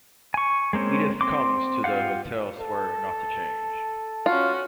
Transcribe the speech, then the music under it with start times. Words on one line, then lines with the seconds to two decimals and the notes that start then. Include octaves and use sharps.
Edith comes to the hotel swearing not to change.
0.34 G#5 C#6
0.73 G#3 A#3 C4 C#4
1.21 C4 C6 D6
1.84 F4 G4 F5 F#5
2.61 A4
4.26 C#4 F4 F#4